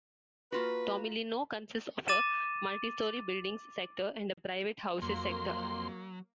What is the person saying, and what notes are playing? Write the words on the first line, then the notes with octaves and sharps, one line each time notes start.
Tomilino consists of a multistory buildings sector and a private houses sector.
A#3 F4 F#4 B4
D6 A6 D#7 E7
F2 F#3 A#3 C6